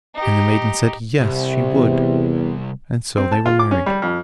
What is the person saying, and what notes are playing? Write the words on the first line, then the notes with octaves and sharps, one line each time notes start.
And the maiden said 'yes, she would,' and so they were married.
D#4 G4
C2 C3
E2
C4
A5
F4
D6
C#4
G3
F2